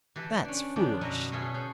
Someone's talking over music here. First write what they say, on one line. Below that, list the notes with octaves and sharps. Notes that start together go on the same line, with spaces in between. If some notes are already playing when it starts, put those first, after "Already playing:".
"That's foolish."
E3 G4 A4 B4
C#4 D4
D#3 F3 B3 D4 G4 D5
F#2 B2 G3 D#5 F#5 A#5
B2 C#4 E4 F4 G#4 A4
C#4 C5 F#5